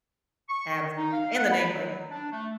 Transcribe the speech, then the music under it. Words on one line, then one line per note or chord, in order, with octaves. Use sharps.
absolute and the name-brand.
C#6
D#3
D#4
F5
F#5
B5
F#3
D4
A3